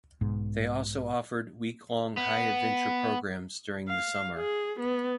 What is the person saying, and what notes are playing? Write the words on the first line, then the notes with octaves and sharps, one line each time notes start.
They also offered week-long high adventure programs during the summer.
B1 G#2 B2
B3
F5
G#4
B3